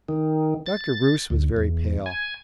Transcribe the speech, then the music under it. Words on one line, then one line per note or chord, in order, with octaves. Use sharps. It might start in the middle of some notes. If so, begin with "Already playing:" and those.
Dr. Bruce was very pale.
D#3
A6
D2
E2
G#5